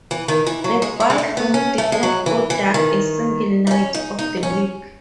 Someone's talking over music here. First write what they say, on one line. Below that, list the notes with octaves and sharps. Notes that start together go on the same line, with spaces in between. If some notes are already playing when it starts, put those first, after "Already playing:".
The ballroom did not go dark a single night of the week.
E3
D#3
E3
F#3
G#3
A3
G#3
A3
B3
C#4
A3
G#3
F#3
E3
E3
D#3
D#4
C#4
D#4
D#4
C#4